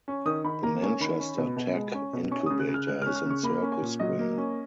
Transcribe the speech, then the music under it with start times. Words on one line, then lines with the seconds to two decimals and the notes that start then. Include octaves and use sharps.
The Manchester Tech Incubator is in Circle Square.
0.08 C#4
0.25 D#3 D#6
0.44 D#3 B5
0.63 A#3 A#5
0.83 C#4 G#5
1.00 D#3 B5
1.20 C#4
1.38 B2
1.56 B2
1.75 G#3
1.94 C#4
2.13 B2
2.31 C#4 C#6
2.46 C#3 D#6
2.60 F#6
2.68 C#3
2.74 F6
2.88 G#3 F#6
3.02 C#4 F6
3.16 F6
3.26 C#3 C#6
3.43 A#3 B5
3.62 C#4
3.72 G#5
3.82 A#2
4.00 F#3 D#5
4.19 A#3
4.38 C#4